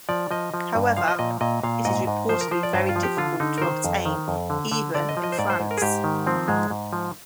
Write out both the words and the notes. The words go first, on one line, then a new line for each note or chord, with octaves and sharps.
However, it is reportedly very difficult to obtain even in France.
F3 D5
F3 D#5
F3
G2
F3 F5
D#5
A#2 D#5
A#2 D#5
A#2 F5
G#2 D#5
G#2
F3 C5
A#4
F3 C5
D5
G2 C5
F4
F3
G4
D3 F4
D3 D#4
A#4
D#3 C5
F2
D#3
F2
D3
D3
D3 D5
D#5
F3
D#5
C5
G#2 D5
C5
G#2
A#4
G#4
G#2 G4
D#3
F3 C4
G#2 G#3
G#2
F3